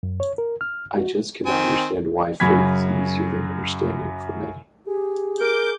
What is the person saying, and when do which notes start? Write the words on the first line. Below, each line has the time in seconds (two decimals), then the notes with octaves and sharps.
I just cannot understand why faith is easier than understanding for many.
0.03 F#2
0.20 C#5
0.38 A#4
0.61 F6
0.97 F#4
1.46 D#3 C4 G#5
2.40 F#2 C#3 F#3 B5 G#6 B6
4.86 G4 G#4
5.41 A#4 D6 G6